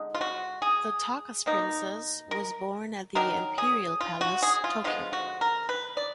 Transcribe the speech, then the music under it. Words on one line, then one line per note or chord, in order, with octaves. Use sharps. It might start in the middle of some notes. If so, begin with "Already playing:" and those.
The Taka’s Princess was born at the Imperial Palace, Tokyo.
Already playing: D3 G#3 D#4
F4
F#4
G#4
B2 A#3 D#4
A#4
D#3 F#3 D4 A#4
G#4
F4
F#4
G#4
F4
D3 F3 G#3 B3 F4
F#4
A#4
B4
D5